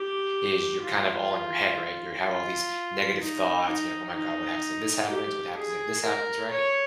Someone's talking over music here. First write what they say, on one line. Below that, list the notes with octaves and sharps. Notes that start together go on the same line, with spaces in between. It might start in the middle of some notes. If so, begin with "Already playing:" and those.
is you're kind of all in your head, right? Your have all these negative thoughts, and you're like, "Oh my god, what happens if this happens? What happens if this happens," right?
Already playing: G4
F4
F4
D#4
D#4
D#4
G4
G#4
A#4
C#5